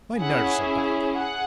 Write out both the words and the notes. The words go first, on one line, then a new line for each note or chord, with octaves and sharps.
My nerves are bad.
C#4 E4 G#4 F#5
G#4 F#5